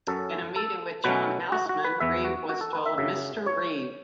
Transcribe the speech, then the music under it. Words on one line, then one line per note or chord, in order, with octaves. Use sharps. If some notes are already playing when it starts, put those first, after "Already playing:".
In a meeting with John Houseman, Reeve was told, Mr. Reeve.
F#2 F#3 C#4 A4
A4
B2 F#3 A3 C#4 B4
F#4
F#4
B4
E2 E3 B3 E5
F#4
F#4
A4
B4
E5
F#2 C#3 F#3 E5
C#5